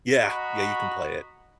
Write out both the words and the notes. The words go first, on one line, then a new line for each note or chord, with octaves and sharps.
Yeah, yeah, you can play it.
F#4 D#5 A#5 B5